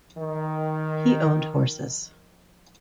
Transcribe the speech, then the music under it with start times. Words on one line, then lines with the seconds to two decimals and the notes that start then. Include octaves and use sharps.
He owned horses.
0.18 D#3